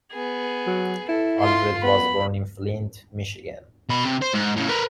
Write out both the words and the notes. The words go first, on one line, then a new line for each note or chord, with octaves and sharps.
Aldred was born in Flint, Michigan.
B3 G#4
F#3
E4 A4
F4 C6
B3 B5
B2 B5
C3 C4
C5
G#2
A2 C#3
A#4 B4